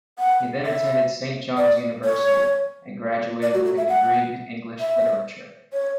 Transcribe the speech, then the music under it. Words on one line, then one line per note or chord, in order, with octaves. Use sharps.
He then attended Saint John's University, and graduated with a degree in English literature.
F#5
E5
D5
C#5
D5
F#4
F#4
E5
F#5
E5
C#5